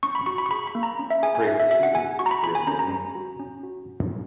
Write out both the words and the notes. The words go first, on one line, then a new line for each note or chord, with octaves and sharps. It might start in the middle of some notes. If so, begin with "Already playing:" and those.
Pray be seated — here near me.
C#4 C#6
B5
F#4 C#6
B5
C#6
G#4 B5
B5
A#3
A#5
C#4
E5
G#4 G#5
G#5
C#4 E5
E5
F#4 E5
F#5
B3 G#5
F#4 C#6
A#5
B5
G#4 B5
G#5
C#4 A#5
A#5
C#4
F#4
C#4
F#4